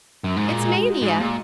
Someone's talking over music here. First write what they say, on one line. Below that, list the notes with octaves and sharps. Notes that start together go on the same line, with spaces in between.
It's mania.
F#2
G#2
A#2 G#3 D#4 F#4
G#2
A#2